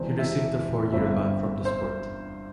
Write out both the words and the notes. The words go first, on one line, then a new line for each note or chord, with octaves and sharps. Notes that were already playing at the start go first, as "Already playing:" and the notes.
He received a four-year ban from the sport.
Already playing: E1 E2 C3 E3 C4 C5
E5
G1 G2 G3 C4 E5
C5